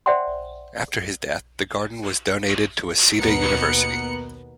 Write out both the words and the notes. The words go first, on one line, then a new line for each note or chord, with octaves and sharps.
After his death, the garden was donated to Waseda University.
C5 D5 E5 F#5 G5 C6
D#2 B2 B3 A#4 F#6 C#7